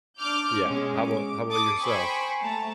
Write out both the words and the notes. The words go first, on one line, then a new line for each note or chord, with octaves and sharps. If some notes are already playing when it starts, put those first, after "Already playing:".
Yeah, how 'bout how ‘bout yourself?
D4 D6 F6 G6
B2 G#3 C#4
D6
A4 D6 D#6
C5 G5 G#5 B5 C#6
A3 A5 A#5